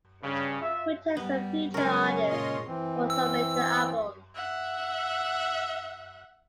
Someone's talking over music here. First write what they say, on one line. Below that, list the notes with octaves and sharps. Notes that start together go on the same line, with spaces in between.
He returned as a featured artist for some later albums.
G2 C#3
F4 E5
G3 B3
C#3 F#3 G#3 C#4 A#4 G#5
A#2 F4 D#5 C6
E3 C4
E6
E5 F#5